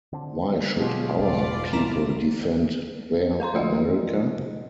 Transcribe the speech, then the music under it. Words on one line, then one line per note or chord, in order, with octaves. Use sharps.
Why should "our" people defend "their" America?
D3 C4 D4
B2 F#3 G#3 F4 G4 G#4
G#1 E2 G3 F4 B4 D5
D2 A2 E4 A#4 A#5
A4 F5 A#5 C6
F3 A3 F4 F#4 D5 D#5